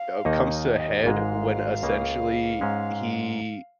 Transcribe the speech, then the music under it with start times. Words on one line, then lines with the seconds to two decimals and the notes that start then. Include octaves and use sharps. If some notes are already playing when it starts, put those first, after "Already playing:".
w uh, comes to a head when essentially he
Already playing: F5
0.25 D#2 D#3 A#3 D#4 D#5
1.04 G#1 G#2 G#3 F5
1.83 C#2 C#3 A#3
2.61 G#2 G#3 C#4